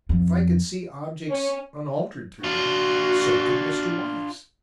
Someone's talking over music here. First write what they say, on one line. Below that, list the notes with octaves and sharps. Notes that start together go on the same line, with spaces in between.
If I could see objects unaltered through them, so could Mr. Weiss.
F2
C#4
D4 F4 F#4